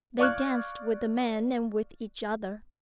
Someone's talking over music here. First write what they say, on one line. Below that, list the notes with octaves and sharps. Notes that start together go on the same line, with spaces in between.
They danced with the men and with each other.
D5 F5 C#6 F6 F#6 G#6